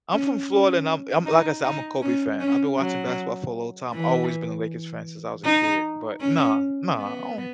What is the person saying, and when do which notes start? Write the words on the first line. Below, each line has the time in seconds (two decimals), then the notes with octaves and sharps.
I'm from Florida and I'm I'm like I said, I'm a Kobe fan. I've been watching basketball for a long time, always been a Lakers fan since I was a kid, but nah, nah, I don't
0.11 C#4
0.49 C#4
1.26 D#4
1.64 D#4
2.02 C#4
2.40 C#4
2.77 F#3
3.92 E3
5.44 D#4
6.20 C#4
6.96 B3